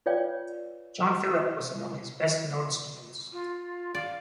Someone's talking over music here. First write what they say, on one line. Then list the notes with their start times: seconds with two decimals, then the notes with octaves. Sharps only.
John Phillip was among his best known students.
0.06 F4 B4 C#5 D5 F5 G5
3.32 F4
3.95 D5 F5